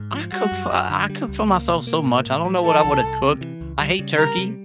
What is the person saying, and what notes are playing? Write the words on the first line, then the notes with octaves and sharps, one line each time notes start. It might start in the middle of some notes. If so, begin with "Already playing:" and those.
I cook for I I cook for myself so much, I don't know what I woulda cooked. I hate turkey,
Already playing: G#2
F3
G3 F#4
F#2
F#2
D3
G3
C#2
A#3
B2
A#3
A2
A2
F3
E3 A4
C2
C2
C3
E3
C#2
G3
C#3
G3 A#4
C3